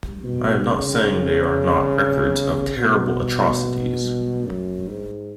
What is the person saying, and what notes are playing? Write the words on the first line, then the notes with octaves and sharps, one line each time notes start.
I am not saying they are not records of terrible atrocities.
B2
C#3
B2
F#2
G#2